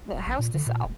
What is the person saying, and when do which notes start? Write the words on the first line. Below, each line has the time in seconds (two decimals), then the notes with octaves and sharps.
the house to sell,
0.12 D1
0.26 A1
0.39 A#2
0.54 D3
0.67 A#2
0.84 D#1